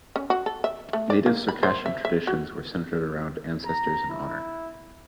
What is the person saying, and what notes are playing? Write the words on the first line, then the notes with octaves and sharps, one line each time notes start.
Native Circassian traditions were centered around ancestors and honor.
C#4
F#4
A4
E5
A3
D5
A#3
B5
C5
E5
E5
F#4
A#5
E4